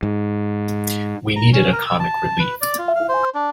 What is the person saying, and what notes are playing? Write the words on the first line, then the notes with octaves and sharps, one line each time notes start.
We needed a comic relief.
G#2
A#5
C#4
A#4
E6
A5
B4
D5
F4
F5
C5
D4